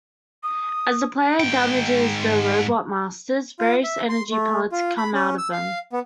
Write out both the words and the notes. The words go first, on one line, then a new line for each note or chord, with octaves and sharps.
As the player damages the Robot Masters, various energy pellets come out of them.
D#6
G#2 G5
F4
E5
C6
A3
F4
B5
C#4
E6
F5
B3